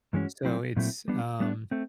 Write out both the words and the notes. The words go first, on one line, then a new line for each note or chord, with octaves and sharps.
So it's, um
G2 E3 G#3 C#4 F#4
A#2 F#3 A3 C4 E4
A#2 F#3 A3 C4 E4
G3 B3 D4
G3 B3 D4
A3 C4